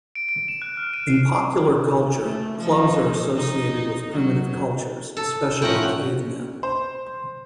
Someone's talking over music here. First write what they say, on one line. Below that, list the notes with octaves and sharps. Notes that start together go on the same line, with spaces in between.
In popular culture, clubs are associated with primitive cultures, especially cavemen.
D7
D7
E7
F#6
F6
D#7
C7
A3
F3 D#4
D#4
F#3
A4
A2 F3 C#4 A#4 F#5 G5
C5